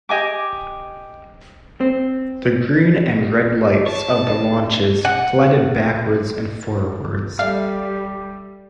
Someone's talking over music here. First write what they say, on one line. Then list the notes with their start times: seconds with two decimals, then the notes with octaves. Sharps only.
The green and red lights of the launches glided backwards and forwards.
0.09 G4 D#5 G#5 D6
1.80 C4
3.86 C#5 A5
4.28 D4 D#4
5.05 F#5
7.39 G3 G4 A4 D5 E5 F5